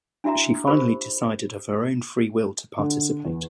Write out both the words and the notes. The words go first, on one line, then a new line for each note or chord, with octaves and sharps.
She finally decided of her own free will to participate.
D4 E4 F#4 E5 A#5
F4 G4 A#4 C5 B5
D3
E2